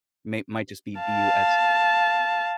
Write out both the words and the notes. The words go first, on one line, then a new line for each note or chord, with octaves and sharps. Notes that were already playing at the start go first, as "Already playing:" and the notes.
May might just be B-U-S
F5 A5